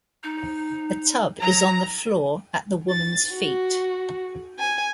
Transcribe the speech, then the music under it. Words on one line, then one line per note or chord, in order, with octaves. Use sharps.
A tub is on the floor at the woman's feet.
D#4
F#3 A#5
A6
F#4
G#5